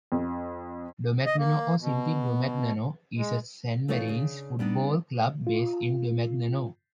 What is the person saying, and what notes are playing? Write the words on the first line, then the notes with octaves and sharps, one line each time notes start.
Domagnano or simply Domagnano, is a Sanmarinese football club, based in Domagnano.
F2
D#5
A#3
B2
G#3
E3 A3 D#4 F4 C#5
C#3 D4
G3 B3 D4 D#4
F4